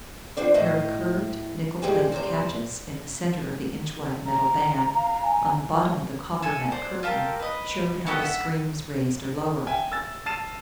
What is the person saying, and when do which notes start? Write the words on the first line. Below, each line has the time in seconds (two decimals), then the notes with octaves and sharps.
A pair of curved, nickel-plated catches in the center of the inch-wide metal band on the bottom of the coppernet curtain showed how the screen was raised or lowered.
0.37 F3 C4 D4 C5
0.54 A2 A3 C5 D#5
1.82 G2 D#3 G#3 G4 C5 G#5
2.12 E2 C3 C5
4.26 A#5
4.95 F5
5.23 G#5
6.42 A4 G#5 E6
6.72 C5 D5
7.03 F4 G4 A4 A#4
7.40 B4 D#5
8.07 B3 F#4 G4 A4
8.19 E5 F#5
9.67 E5 G5 G#5
9.92 E6 A6
10.26 A5 F6 A6 C7 D#7 E7